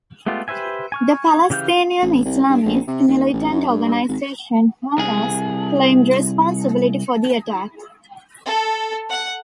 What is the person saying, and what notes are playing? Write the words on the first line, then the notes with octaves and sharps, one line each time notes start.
The Palestinian Islamist militant organization Hamas claimed responsibility for the attack.
G#3 A3 B3 F4 G4
G4 B4 C5 E5 G#5
G#5 C#6 F6
C#3 E3 G4 F5 G6
A1
C2
G2
A#1
C3
D#2
A1
F#2
G2
G#1
C2 G#4
A4
F#5